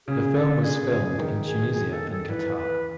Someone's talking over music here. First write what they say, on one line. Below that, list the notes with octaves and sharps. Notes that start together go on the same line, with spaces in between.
The film was filmed in Tunisia and Qatar.
C#3 G#4
A4
G#4
D#3
G#4
G#4
A4
A4
E3 B4
B4